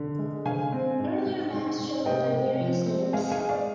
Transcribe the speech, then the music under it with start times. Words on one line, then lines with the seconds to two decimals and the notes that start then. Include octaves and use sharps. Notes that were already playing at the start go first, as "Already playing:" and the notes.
Earlier maps show it by various names.
Already playing: D3
0.19 G#3
0.45 D3 F5 G#5
0.72 C4
0.99 G#2
1.26 G#2
1.53 G#2
1.79 G#2
2.06 C3 D#5 G5
2.32 C3
2.60 F3
2.86 C4
3.13 G#3 F5 G#5
3.32 F5 G#5
3.40 G#3
3.49 D5 F5